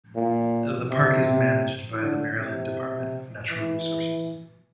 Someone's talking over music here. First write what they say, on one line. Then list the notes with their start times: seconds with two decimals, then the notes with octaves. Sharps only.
The park is managed by the Maryland Department of Natural Resources.
0.16 A#2
0.91 C3
2.01 D3
2.39 C3
3.49 E3